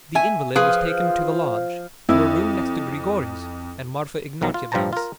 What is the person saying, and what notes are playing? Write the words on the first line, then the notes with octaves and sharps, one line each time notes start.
The invalid was taken to the lodge, to a room next to Grigory's and Marfa Ignatyevna's.
E5 G#5
F3 G#4 B4
F2 E4
B1 D#3 F#3 A#5
F4
G2 F3 G3 C5 A5 A#5
F4 A#4